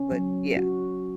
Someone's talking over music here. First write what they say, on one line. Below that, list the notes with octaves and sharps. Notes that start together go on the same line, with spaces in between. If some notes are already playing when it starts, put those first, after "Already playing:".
but, yeah,
Already playing: C#4
F#3
F#4